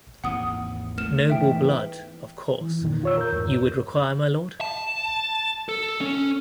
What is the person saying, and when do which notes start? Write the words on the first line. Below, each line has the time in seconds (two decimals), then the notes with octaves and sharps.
Noble blood, of course, you would require, my Lord?
0.24 G#1 D#2 E3 F#5 D#6
0.98 A3 B3 F6 E7
1.30 G#2 E3 E5 G5
2.61 E3
2.81 F2 A#2 D#3
3.03 F4 C#5 E6
3.18 A#4 G6
3.33 E2 G#2
4.61 A5
5.69 A4
6.01 C#4